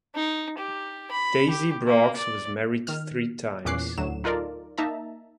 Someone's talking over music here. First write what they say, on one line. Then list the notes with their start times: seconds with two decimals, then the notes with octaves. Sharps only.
Daisy Breaux was married three times.
0.15 D#4
0.58 G4
1.11 B5
1.50 G4
1.87 A#3
2.17 D5
2.87 D#3 F6
3.65 E2 A#2 C#4 D6 F#6 C7
3.97 D2 A2 F#3 E7
4.24 D#4 F4 A4 A#4 D5
4.78 A#3 D#4 E5 A5 A#5